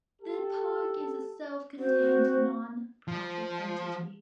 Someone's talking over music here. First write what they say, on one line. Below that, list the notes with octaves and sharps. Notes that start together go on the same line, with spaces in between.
The park is a self-contained non-profit entity.
G4 A4
C4 F#4 C5
F3